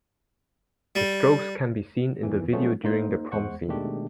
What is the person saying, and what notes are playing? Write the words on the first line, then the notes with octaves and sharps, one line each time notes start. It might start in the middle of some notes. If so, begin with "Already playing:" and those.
The Strokes can be seen in the video during the prom scene.
G3
E2 D#3 E3
F3 F#3 G#3 A3 B3 C#4
A#3 D#4 C5
E2 G#3 C5 F#5 C#6
B2 D#3 G#3 A3 D4 G4